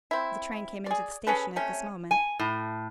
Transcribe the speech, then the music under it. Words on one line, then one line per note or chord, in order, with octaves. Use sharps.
The train came into the station at this moment.
C4 E4
G#4 D5
C#4 G#4 A4 B4
C3 A3 C#4
G#5
A2